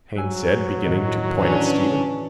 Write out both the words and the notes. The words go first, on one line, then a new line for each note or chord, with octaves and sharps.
Haines said, beginning to point at Stephen.
F#3 G#5 E6 F#6
D#2 A2 D#3
E3 C#4 D4 E7